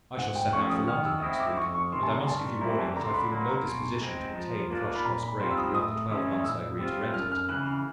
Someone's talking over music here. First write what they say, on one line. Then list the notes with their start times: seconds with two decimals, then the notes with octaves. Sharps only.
I shall set out for London next week; and I must give you warning that I feel no disposition to retain Thrushcross Grange beyond the twelve months I agreed to rent it.
0.17 G#2 F#5
0.35 G5
0.53 F3 A3 C#4 C#6
0.70 D#6
0.87 D#3 F6
1.05 E6
1.22 G#3 C4 E4 D#6
1.40 D6
1.57 F2 C#6
1.74 C#6
1.92 C3 D#3 C6
2.03 A5
2.09 A#5
2.27 G2 A5
2.61 E3 G3 C4 E4 A#5
2.79 A5
2.96 D3 A#5
3.05 C6
3.14 B5
3.31 F#3 A#3 B5
3.48 A#5
3.66 B2
4.01 G#3 C4
4.35 F3
4.70 A#3 D4 F4
4.95 B5
5.05 A#2 A#5
5.23 B5
5.40 G3 C4 F4 C6
5.51 E6
5.57 D#6
5.74 A2 D#6
6.10 E3 G#3 C#4
6.44 A#2 E6
6.79 G3 C4 F4
7.13 F#2 F6
7.32 F6
7.49 C#3 E3 F#6
7.66 F6